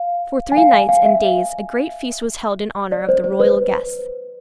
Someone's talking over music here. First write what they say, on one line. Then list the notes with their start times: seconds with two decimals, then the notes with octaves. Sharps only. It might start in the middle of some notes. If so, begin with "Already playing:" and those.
For three nights and days a great feast was held in honour of the royal guests.
Already playing: F5
0.52 G#5
0.57 F5
0.73 G#5
0.89 F5
1.05 E5
2.92 D5
3.09 C5
3.24 C5
3.40 B4